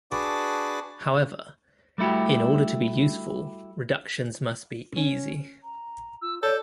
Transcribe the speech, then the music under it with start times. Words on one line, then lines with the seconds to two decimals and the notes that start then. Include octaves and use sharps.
However, in order to be useful, reductions must be "easy".
0.12 D4 F#4 G#4 B4 A5 D6
1.98 G3 A3 E4 F#4 G4
4.96 C#4
5.64 A#5
6.22 F4 E6
6.43 A4 C#5 D5 G6